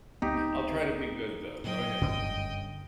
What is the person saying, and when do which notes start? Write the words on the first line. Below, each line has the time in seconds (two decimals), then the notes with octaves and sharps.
I'll try to be good though. Go ahead.
0.22 C#2 B3 C4 D#4 G4
1.64 A#2 F#3 D#5 G5
2.01 F#1 G2 D3 C#4